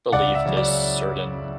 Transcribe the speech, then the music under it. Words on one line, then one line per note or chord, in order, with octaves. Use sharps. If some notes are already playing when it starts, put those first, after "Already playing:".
believe this certain
C#2 D5 F#5
E5
C#3 F#3
D5